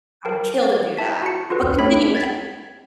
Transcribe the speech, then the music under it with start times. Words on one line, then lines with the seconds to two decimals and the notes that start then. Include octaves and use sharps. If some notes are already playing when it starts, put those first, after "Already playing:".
I'd kill to do that. But continue, ta
0.25 A#4 G5
0.97 E4 E5 A5 B6
1.22 F#4 C#7
1.50 F4 F#4 A4 B4
1.79 A3 C4 A4 C#5 B5 B6
2.15 G#6 A6 B6